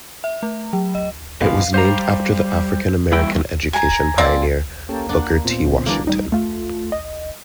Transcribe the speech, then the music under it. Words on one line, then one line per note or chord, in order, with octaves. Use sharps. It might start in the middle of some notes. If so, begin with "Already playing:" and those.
It was named after the African-American education pioneer Booker T. Washington.
E5
A3
F#3
D#5
B2 E3 F3 F5
G3 C5 F5 A#5
E3 G3 A3 E4 G5
G#5 A#5
A#3 C4 D5
A#3 C#4 G4 A4
D4 F#5
A#2 B3 C4 F4
D3 B3
E3 G3 A#3 D4 F#4
A1 G3 D#4
A3 F4
D#5